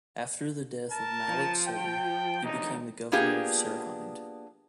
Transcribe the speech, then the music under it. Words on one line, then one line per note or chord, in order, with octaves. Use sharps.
After the death of Malik Sultan, he became the governor of Sirhind.
A#4 A5
F3
G5
E2 C3 D#4
A#3 B3 D4 F4 G4 G#4